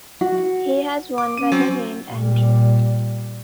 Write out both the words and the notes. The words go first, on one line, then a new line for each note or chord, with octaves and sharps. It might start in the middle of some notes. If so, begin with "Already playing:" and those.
He has one brother named Andrew.
F#4
D6
C#4 D#7
F#3 C4
A#2 G3